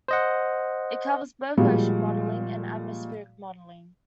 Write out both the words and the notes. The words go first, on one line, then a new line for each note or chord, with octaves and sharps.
It covers both Ocean modelling and Atmospheric Modelling.
C5 D#5 F#5
A#2 F3 G3 G#3 F#4